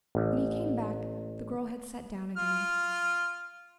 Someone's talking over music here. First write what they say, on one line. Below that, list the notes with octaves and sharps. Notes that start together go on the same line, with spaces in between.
When he came back the girl had sat down again.
A1
F4 F6